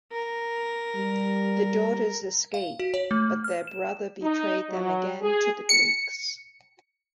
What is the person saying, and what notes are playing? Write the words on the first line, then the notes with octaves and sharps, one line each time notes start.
The daughters escaped, but their brother betrayed them again to the Greeks.
A#4
G3
F5
F#4
C#5
A3
F6
E7
D#4
F#3
G#4
C#7